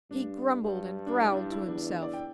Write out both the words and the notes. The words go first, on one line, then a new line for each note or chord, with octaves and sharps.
He grumbled and growled to himself.
G2 D4
G2
D4
E4
D4
E4
E2 D4
D5
G5